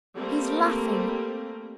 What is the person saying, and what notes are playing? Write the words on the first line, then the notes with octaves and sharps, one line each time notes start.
"He's laughing."
G3 A3 A#3 C4 A#4